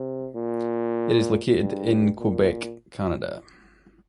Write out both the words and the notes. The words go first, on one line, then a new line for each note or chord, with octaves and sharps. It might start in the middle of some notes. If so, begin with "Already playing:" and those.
It is located in Quebec, Canada.
Already playing: C3
A#2
G2
A#2